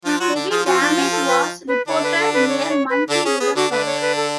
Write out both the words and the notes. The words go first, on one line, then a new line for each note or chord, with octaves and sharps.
Heavy damage was reported near Monkey River Town.
F3 D4 F4
F#3 F4 F#4
D3 D4
F3 F4 G#4
F3 F4 F#4
D4
C#4
A4
B4
B4
D3 D4 C#5
B4
A4
B4
C#5
C#5
B4
D3 D4 A4
C#4 G#4
B3 G#4
D3 D4 F#4
D3 D4 B4
C#5
B4
A4